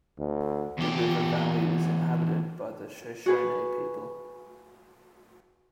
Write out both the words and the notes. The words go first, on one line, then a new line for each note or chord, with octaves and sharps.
The river valley was inhabited by the Shoshone people.
D2
E2 G4
F#4 G#4 B4